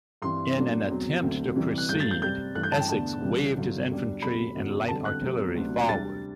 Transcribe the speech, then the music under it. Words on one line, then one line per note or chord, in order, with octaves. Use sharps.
In an attempt to proceed, Essex waved his infantry and light artillery forward.
G2 E3 G3 C4 C6
B2 F#3 A3 D4
E2 B2 F#3 C4
D2 D3 F#3 C4
C3 E3 G3
F#6
G2 F#3 A3 G6
A6
G6
C3 G3 C4 G6
G2 E3 A3 F#6
G6
A5
G5
E2 D3 A3 D4 A5
C2 C3 E3 G3 C4
G2 D3 F#3 C4
E2 B2 G3 D4
E2 C3 F#3 A3 B5
F#2 D3 F#3 B3
E2 D3 G3 C4 A5
F#6
E2 B2 F#3 A3 C4
D2 C3 F#3 B3 D4
C3 G3 D4 A6